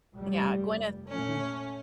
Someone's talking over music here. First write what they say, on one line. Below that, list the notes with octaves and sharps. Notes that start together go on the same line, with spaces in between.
Yeah, Gwyneth. Mm-mm.
F1 G2 G3
A#2 A3 C#4